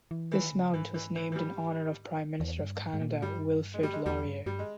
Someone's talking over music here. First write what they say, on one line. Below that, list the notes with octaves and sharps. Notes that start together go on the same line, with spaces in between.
This mount was named in honor of Prime Minister of Canada Wilfrid Laurier.
E3
D#3 E3
C#3
G#2 E3
E3
E3
E3
G3
E2
G2
G#2
G#2
A#2
G2 G3
G#3
G3
G#3
E2 G3
G2
G2 G3
G#3